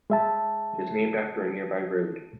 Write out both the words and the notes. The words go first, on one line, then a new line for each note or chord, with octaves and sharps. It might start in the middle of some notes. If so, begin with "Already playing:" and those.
It is named after a nearby road.
G#3 E5 A5